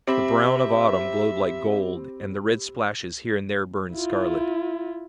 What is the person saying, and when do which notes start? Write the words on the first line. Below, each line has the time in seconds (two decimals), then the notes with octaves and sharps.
The brown of autumn glowed like gold, and the red splashes here and there burned scarlet.
0.07 C4 G4 E5 B5
3.93 E4 F4